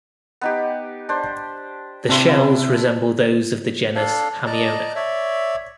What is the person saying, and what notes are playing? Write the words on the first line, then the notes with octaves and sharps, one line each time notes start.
The shells resemble those of the genus "Haminoea".
B3 D#4 G4
D4 C5
C3 D4 E4 C6
E4
D4 A4 F5
D5 D#5 A5 A#5
C#5 D5 E5